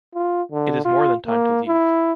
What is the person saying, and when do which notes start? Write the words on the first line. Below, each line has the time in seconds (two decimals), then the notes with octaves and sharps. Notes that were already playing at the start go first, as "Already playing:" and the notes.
It is more than time to leave.
0.15 F4
0.52 D3
0.85 F4
1.27 A#3
1.67 E4